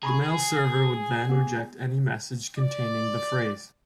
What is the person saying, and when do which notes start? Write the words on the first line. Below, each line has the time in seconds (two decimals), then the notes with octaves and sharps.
The mail server would then reject any message containing the phrase.
0.03 G#4 A#5 B5 C#6
1.29 B3 G4
2.58 D5